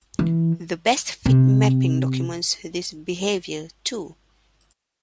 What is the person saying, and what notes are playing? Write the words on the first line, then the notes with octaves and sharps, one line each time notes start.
The "best fit" mapping documents this behavior, too.
E3
C3